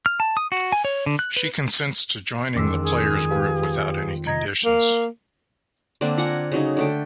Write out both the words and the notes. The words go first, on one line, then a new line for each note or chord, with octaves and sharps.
She consents to joining the player's group without any conditions.
F6
A5
D#6
F#4
G#5
C#5
D3
F#6
B4
F2 D#3 G#3 C#4 D6 E6
G#4
G4 B4 F5
C3 D#5 A#5 G#6
A#3
D3 A#3 C4 D4
F4 F#5 G#5 A#5
C#3 F#3 D#4
D3 A3 G5